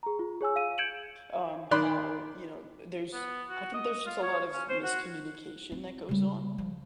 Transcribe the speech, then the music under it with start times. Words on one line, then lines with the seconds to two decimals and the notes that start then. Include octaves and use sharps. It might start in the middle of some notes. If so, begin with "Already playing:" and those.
um, how, you know uh, there's I think there's just a lot of miscommunication that goes on,
0.03 G#4 A#5
0.19 F4
0.41 G#4 C#5 G#5 E6
0.56 F5 D#7
0.78 G6 G#6 C#7 D7 E7 F#7
1.71 D#3 D5 B5 C6 F#6
3.13 B3
3.49 F#4
3.74 D#5
4.06 F4
4.23 C#5
4.53 C#4
4.69 C5
4.83 F#4
5.72 C4
6.09 C#3 G3
6.58 F3